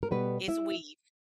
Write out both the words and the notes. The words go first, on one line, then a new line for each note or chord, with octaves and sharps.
It's weave.
A#4
B2 G3 B3 B4
E4 E5